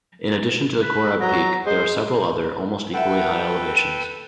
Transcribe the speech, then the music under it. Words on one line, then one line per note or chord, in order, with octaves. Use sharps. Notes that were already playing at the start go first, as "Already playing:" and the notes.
In addition to the Korab peak, there are several other, almost equally high elevations.
B4
F#3 A#5
G#3 C5
A4 B4 E5 F#5 G5